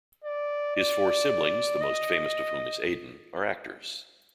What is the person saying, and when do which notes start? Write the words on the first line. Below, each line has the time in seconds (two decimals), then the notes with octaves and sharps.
His four siblings, the most famous of whom is Aidan, are actors.
0.24 D5
0.76 D5
1.81 D#5